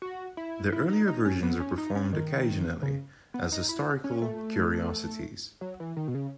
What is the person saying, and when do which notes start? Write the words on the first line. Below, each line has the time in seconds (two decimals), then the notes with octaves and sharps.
The earlier versions are performed occasionally as historical curiosities.
0.02 F#4
0.37 E4
0.73 E4
0.90 D#4
1.08 D#4
1.25 C#4
1.43 B3
1.60 C#4
1.78 D#4
1.95 C#4
2.13 D#3
2.82 C#3
3.34 B3
3.52 D#4
3.69 E4
4.04 C#4
4.22 A3
5.61 F#3
5.80 E3
5.97 D#3
6.08 B2
6.15 C#3